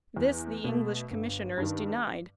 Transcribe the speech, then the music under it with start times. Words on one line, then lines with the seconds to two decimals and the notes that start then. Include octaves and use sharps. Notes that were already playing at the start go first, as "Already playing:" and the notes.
This the English Commissioners denied.
0.17 E2
0.64 B2 A3
1.10 G1
1.58 G2 D#3